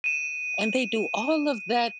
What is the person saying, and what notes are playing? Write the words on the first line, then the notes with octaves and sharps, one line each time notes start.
and they do all of that
D#7 E7